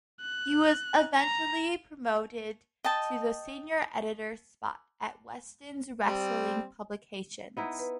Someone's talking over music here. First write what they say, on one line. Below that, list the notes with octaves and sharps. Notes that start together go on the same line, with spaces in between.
He was eventually promoted to the senior editor spot at Weston's wrestling publications.
F#6
A#5
D#5 G5 A5
G3 C4
B3 D#4 E4
B4